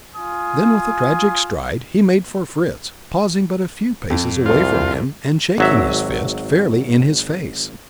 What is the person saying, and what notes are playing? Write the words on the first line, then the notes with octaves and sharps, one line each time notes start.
Then, with a tragic stride, he made for Fritz, pausing but a few paces away from him, and shaking his fist fairly in his face.
F4 G#5 D#6
F2
C2 F4
G#1 F#3 E5